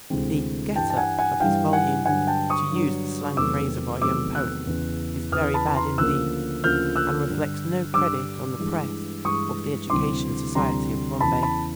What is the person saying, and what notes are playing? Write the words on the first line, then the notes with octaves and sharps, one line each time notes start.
The 'get-up' of his volume, to use the slang phrase of our young poets, is very bad indeed, and reflects no credit on the press of the Education Society of Bombay.
D2 C3 E3 G#3 C4
G2 E3 G3 G5 A5
A5
F#5 G#5
F#5 G#5
G2 E3 G3 F5 G5
F#5 G#5
G2 D3 F#3 F#5 G#5
G5 A5
C#6 D#6
G2 D3 F#3
E2 C3 D#3 F#3 A3 D6 E6
E2 C3 D#3 F#3 A3 D6 E6
E6 F#6
E2 C#3 E3
E2 C#3 E3 D#6 F6
A5 B5
A#5 C6
D2 C#3 F3 A#3 E6 F#6
D2 C#3 F3 A#3 F6 G6
E6 F#6
G2 D3 G3
G2 D3 G3 D6 E6
G2 E3 G#3
G2 E3 G#3 C#6 D#6
D2 C3 E3 G3 C4 C6 D6
D2 C3 E3 G3 C4 A#5 C6
E2 C#3 E3 A5 B5
A5 B5